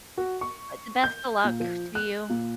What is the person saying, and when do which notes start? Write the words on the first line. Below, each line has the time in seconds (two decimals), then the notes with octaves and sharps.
But, the best of luck to you.
0.18 F#4
0.41 C#6
1.04 G6
1.44 A#2
1.60 F3
1.95 F#6
2.30 A#2